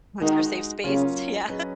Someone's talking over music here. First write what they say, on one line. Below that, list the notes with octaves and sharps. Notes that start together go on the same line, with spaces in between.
Once our safe space. Yeah.
D#3 G#3 D#4 F#4
C#3 F#3 A#3 C#4 F4
F#3 C#4 G#4 B4 D#5